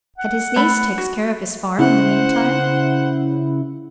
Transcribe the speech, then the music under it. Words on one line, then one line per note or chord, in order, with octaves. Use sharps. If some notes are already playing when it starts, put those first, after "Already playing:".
"And his niece takes care of his farm in the meantime?"
F#5
A3 B5
F#4
C#3 E4 C5 F#5